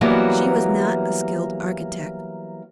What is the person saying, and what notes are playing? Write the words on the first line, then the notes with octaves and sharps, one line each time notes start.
She was not a skilled architect.
E3 F#3 G3 A#3 B3 E4